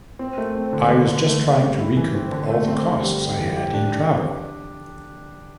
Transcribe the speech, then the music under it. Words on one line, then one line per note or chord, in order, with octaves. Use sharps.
I was just trying to recoup all the costs I had in travel.
C4
A3
C4
D3
D3
D3
A3
A3
G3
E4
E3
C4
D3
A3
C4
D3
G3
G4
E3
G4
D4